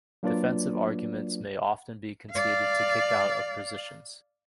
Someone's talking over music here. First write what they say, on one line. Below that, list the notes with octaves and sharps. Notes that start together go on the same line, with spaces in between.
Defensive arguments may often be conceded to "kick out" of positions.
F#3 A#3 D4 F4 B4 D5
D5 F5